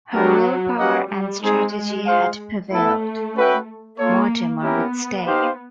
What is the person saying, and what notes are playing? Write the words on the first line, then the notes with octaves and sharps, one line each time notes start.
Her will-power and strategy had prevailed; Mortimer would stay.
F#3 G3 B3 D4 G4 A#4
G3 C#4 F#4 B4 D#5 F#5
G3
G#3 C4 D#4 G#4
F4 G#4 C5 F5
A3 B3 E4 A4
C#4 F#4 B4 E5 G5
A#3 F4 A4 C#5
B3 C#4 E4 G4 A#4
D#4 G4 C5 F5